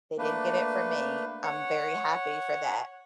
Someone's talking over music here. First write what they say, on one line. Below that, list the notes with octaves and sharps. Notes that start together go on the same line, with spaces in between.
They didn't get it from me, I'm very happy for that,
A3 A#3 D4 B4
C#5 F#5